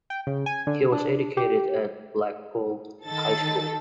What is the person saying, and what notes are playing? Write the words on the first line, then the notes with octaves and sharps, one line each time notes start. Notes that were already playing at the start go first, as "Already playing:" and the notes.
He was educated at Blackpool High School.
G5
C#3
G#5
D3
D4
G4
D#3 A4 A6